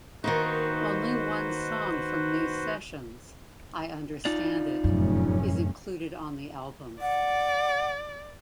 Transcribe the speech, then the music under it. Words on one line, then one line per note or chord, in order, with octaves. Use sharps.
Only one song from these sessions, "I Understand It", is included on the album.
D#3 A#3 D#4 F#4 B4 C5
D#4 F4 D5
F1 F#2 A2 C#4
D5 F#5